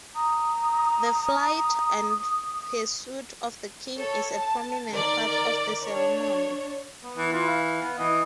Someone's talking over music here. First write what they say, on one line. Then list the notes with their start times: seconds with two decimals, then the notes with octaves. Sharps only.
The flight and pursuit of the king is a prominent part of the ceremony.
0.15 A#5 D#6
3.98 A4 C#5
4.34 A5
4.90 D#3 A#4 D5
5.84 D4 C#5
7.04 B3
7.17 E3
7.33 E3 F4
7.47 F5
7.82 B3
7.99 E3 D#5